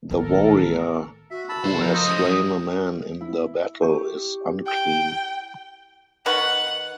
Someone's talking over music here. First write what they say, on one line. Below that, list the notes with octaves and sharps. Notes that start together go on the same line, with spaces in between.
The warrior who has slain a man in the battle is unclean.
A1 D#3 A#3 A4 A#4
F#4 E5
A5 B5 E6
C2 C5
F3 A4 A#4 A#5
C5 D#5 C#6 D#6
E3 C#4
E4
G4 C#6
G5
D#3 B4 F#5 C#6